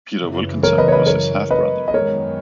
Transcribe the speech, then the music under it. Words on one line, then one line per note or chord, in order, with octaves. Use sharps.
Peter Wilkinson was his half-brother.
F#2 C#3 E3
A#4 C#5
B4 D#5
C#5
B4 D#5
A#4 C#5
B4 D#5
D#5
F#2 D#3 G#3 B3 A#4 C#5